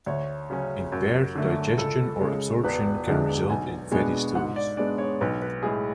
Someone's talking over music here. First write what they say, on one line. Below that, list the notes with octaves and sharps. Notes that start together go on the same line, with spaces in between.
Impaired digestion or absorption can result in fatty stools.
D2 C#5
C#3 F#3 C#4
F#2
D3 A3
C#2 A4
C#3 G#3
E1 B4
D2 D3 G#3 D4
B1 G#5
B2 G#3 B3 D4 G#5
G#2 F#5
D5
G#3 B3 D4 D5
C#5
B1 B4
B4
A2 G#3 G#4